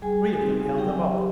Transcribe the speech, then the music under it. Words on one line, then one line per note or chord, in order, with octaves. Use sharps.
Three of them held a box.
G3 G#4 G#5
C4 D#4 F#4
F#3 G4 G5